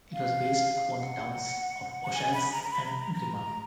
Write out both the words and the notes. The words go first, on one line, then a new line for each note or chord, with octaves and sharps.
It was based upon the towns of Oschatz and Grimma.
F5
F#5
F#5
G#5
B5
A#5
A#5
B5
A#5
A#5
A#5